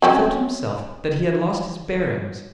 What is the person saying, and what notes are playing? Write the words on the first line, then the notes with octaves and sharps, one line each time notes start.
He felt himself that he had lost his bearings.
F#3 C4 C#4